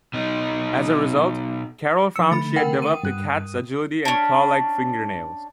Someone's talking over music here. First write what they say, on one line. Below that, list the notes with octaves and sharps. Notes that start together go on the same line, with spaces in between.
As a result, Carol found she had developed a cat's agility and claw-like fingernails.
B2 D#4
F3 E6 C#7
D3 A3 B5 A6
A#4 F#5 G5
D#6 D#7
G2 F#6
C#4 D4